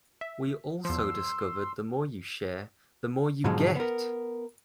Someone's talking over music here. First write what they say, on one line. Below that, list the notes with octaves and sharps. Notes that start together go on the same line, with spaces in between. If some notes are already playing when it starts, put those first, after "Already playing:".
We also discovered the more you share, the more you get!
E5
E2 F3 C6 E6
G#2 B2 D3 F3 F#3 G#3
B3 A#4